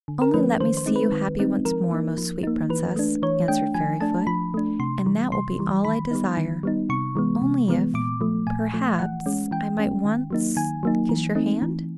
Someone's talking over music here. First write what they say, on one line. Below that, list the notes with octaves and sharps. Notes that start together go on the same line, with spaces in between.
"Only let me see you happy once more, most sweet Princess," answered Fairyfoot, "and that will be all I desire--only if, perhaps, I might once--kiss your hand."
D3
A#4
F3 A3 C#4 B4
D#3 C5
C5
G#3 C4 D#4
B4
D#3
G#3 C4 D#4
F3 A#4
A#3 D#4
F3
A#3 D#4
E3 B4
A3 D4
E3 C#5
A3 D4 G5
F3 G#5
A3 D4 A5
F3 B5
A3 D4
C3 C6
E3 G3
C3 C6
E3 G3
D#3 B5
G3 B3 D#4
D#3
G3 B3 D#4
C3 C#6
E3 G#3 B3
C3
E3 G#3 B3
A#2 D6
F3 A3
A#2 G#5
F3 A3
E3 F#5
G#3 C#4
E3 G5
G#3 C#4
D#3
F#3 A#3 D#4
D#3 G#5
F#3 A#3 D#4
E3
A3 C4 D#4
E3